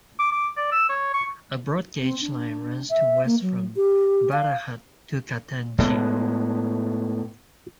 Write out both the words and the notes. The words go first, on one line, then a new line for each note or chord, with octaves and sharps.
A Broad gauge line runs to west from Balaghat to Katangi.
D6
D6
D5
E6
C#5
C#6
C4
D4
E5
A#3
F#3
G4
F5
A2 G#3 A#3 B3